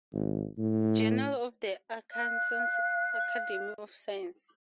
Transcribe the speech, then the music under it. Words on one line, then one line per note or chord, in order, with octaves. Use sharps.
Journal of the Arkansas Academy of Science.
G#1
A2
F5 F#6